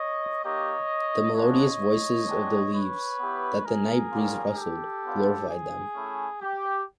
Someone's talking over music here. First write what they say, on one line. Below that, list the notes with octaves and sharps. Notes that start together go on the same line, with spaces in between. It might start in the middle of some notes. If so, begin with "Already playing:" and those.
The melodious voices of the leaves, that the night breeze rustled, glorified them.
Already playing: C#5 D#5
A#3 D#4 G4 C#5 D#5
G#3 B3 D4 F4 C#5 D#5
G#3 B3 D4 G4
B4 C#5
B3 E4 G4
G#4 A#4
G3 A#3 C#4 F4
G4 A4
B3 D4 F4
G#4
A3 C#4 E4
G4